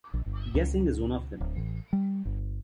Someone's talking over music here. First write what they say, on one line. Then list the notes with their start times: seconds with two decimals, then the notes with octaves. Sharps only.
Guessing is one of them.
0.14 A#1
0.26 G1
0.55 C#2
1.40 D1
1.56 A1
1.93 G3
2.25 G1